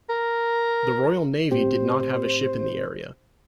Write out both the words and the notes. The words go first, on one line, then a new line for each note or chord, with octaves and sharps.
The Royal Navy did not have a ship in the area.
A#4
A2 C4 G4 C5